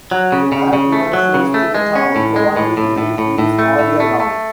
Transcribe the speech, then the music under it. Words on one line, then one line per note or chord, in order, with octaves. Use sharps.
The Mad River flows through the town, providing great views all year round.
F#3
C#3
C#3
C#3
A3
F#3
C#3
A3
G#3
C#4
A2
G#3
A2
A2
A2
A2
A2
A3
A2
A3
A3